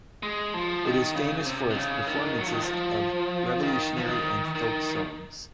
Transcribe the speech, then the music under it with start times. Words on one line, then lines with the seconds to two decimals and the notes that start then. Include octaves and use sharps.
It is famous for its performances of revolutionary and folk songs.
0.23 G#3
0.54 F3
0.85 D#3
1.15 C#3
1.46 C3
1.70 D#3
1.77 C#3
2.07 D#3
2.39 F#3
2.46 F3
2.54 D#3
2.62 F3
3.62 D#3
3.96 F3
4.09 D#3
4.55 D#3